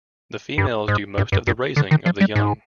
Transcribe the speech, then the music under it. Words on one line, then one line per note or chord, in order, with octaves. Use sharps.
The females do most of the raising of the young.
G2
G#2
G2
G2
G2
D3
D#3
F3
G3
G#2